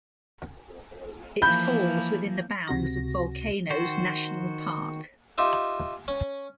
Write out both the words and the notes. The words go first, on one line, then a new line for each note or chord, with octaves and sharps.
It falls within the bounds of Volcanoes National Park.
E3 F3 A#3 B5 G6
C#2 C3 F#4 A#6
D#3 F#4 C5
D#4 F4 G4 E5
C#4